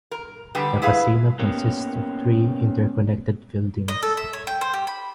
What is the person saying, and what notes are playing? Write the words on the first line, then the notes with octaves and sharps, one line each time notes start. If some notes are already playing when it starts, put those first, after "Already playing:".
The casino consists of three interconnected buildings.
A#4
D3 G3 B3 G4
E4 G#4 B4 F5
A#3 B3 C#4 G4
D#5
A4
E5
C#5
G5
C5
G4
B5